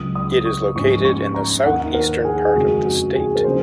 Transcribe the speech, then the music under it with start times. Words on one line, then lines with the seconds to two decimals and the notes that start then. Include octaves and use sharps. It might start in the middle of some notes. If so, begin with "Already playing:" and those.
It is located in the South Eastern part of the state.
Already playing: C#2 C#3 F#3 D#6
0.15 D#6
0.45 C#6
0.75 G#2 F3 A#3 C#4 C#6
1.05 C#6
1.34 A#5
1.65 D#2 D#3 A#3 D#4 F#5
1.94 A#4
2.25 G#4
2.44 G#4
2.55 F2 C#3 F3 G#3 D#4 F#4
2.85 F#4
3.15 G#4
3.35 A#4
3.44 C#3 F3 A#3 C#4 C5